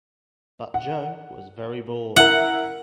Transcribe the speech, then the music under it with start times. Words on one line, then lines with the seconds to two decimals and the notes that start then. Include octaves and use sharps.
But Joe was very bored.
0.74 F#5
2.16 E4 A#4 F#5